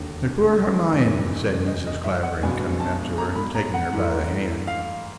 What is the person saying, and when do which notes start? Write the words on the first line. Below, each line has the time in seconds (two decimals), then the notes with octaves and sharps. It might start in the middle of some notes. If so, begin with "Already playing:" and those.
"My poor Hermione," said Mrs. Clavering, coming up to her, and taking her by the hand.
Already playing: E1 D#2 D3
0.92 F#1 E2 C3
1.67 D#5
1.87 D#5
2.04 E5
2.23 F#5
2.42 B1 B2 G#3 B3 D4 G#5
2.80 A5
3.18 A#5
3.35 B5
3.55 A#5
3.74 F#5
3.92 G#2 E3 A3
4.67 F5